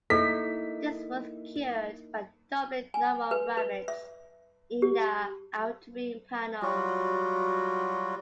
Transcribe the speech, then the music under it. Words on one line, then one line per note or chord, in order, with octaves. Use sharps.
This was cured by doubling the number of rivets in the outer wing panels.
A#3 D#4 E4 A4 B6
G#5
B4
B4
E5
G4
F#3 G3 F4 F#4